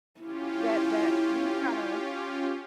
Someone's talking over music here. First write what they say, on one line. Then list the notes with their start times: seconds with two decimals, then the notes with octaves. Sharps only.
that that we kinda
0.20 C#4 E4 F4 G4